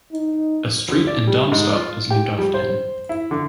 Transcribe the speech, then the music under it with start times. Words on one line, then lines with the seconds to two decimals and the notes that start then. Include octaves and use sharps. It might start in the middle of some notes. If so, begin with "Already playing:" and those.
A street in Darmstadt is named after him.
0.12 D#4
0.88 D2
1.07 D5
1.27 G3
1.52 G#2
1.74 F4
2.11 G4
2.38 G3
2.54 C5
3.09 E4
3.31 D3